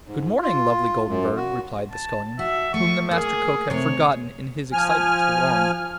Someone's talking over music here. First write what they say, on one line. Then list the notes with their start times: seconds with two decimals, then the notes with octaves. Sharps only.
'Good-morning, lovely Golden Bird,' replied the Scullion, whom the Master Cook had forgotten in his excitement to warn.
0.07 G#2
0.42 F4
1.08 F#2
1.37 F#4
1.91 A5
2.39 F#4 E5
2.74 A3 C#6
3.11 A#3 G#4
3.70 C3 A3 C#5
4.73 F3 G#5 F6